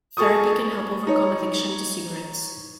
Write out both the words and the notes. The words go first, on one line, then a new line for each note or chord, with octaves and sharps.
Therapy can help overcome addiction to cigarettes.
G#4 A4 C#6 D#6
D#4 C#5